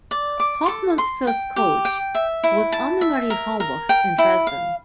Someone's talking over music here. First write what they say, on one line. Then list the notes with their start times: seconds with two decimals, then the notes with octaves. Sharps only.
Hoffmann's first coach was Annemarie Halbach in Dresden.
0.11 D5
0.40 D6
0.68 A4
0.98 C6
1.27 G5
1.56 G4
1.85 G5
2.15 E5
2.44 E4
2.72 A5
3.01 E5
3.30 A#4
3.60 A#4
3.89 G5
4.18 E4
4.47 F5